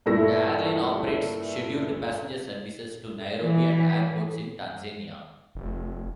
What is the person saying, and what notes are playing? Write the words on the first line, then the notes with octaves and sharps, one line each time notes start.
The airline operates scheduled passenger services to Nairobi and airports in Tanzania.
G2 A#2 A3 E4 A#6
E3
F1